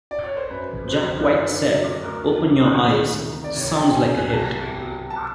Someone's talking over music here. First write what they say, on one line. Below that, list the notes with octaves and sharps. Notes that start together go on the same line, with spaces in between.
Jack White said 'Open Your Eyes' sounds like a hit.
D5
C#5
C5
F#2 B4
D3 F#3 C5
F#2 B4
D3 F#3
D2 A#4
C3 D#3
D2
C3 D#3
D5
C2 C#5
G5
B2 F#3 G#5
G#5
C2 A5
B2 F#3
A5